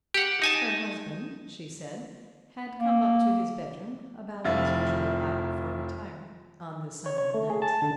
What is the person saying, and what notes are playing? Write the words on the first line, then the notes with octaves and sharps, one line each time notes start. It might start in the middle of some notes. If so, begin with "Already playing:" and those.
Her husband, she said, had come up to his bedroom about his usual hour for retiring on the Sunday night.
G4 F#5
D#4 G#5 A5
A#3
F1 C3 F3 E4 F4 A6
C#5
C#5
A3
G#4
A5
D3